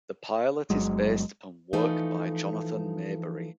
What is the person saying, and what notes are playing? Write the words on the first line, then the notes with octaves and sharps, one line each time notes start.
The pilot is based upon work by Jonathan Maberry.
G1 F#3 G#3
E3 F3 A3 D#4